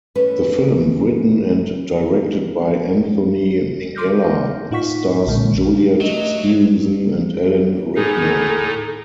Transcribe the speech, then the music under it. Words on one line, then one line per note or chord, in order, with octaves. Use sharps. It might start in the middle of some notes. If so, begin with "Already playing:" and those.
The film, written and directed by Anthony Minghella, stars Juliet Stevenson and Alan Rickman.
E3 A3 C#4 B4
C6 D6 F6 G6 A#6
A2 D#4 F4 F#5 C#6 B6
B1 A#2 D3 G#3
F#3 A3 D#5
A2 D#4 G#4 A4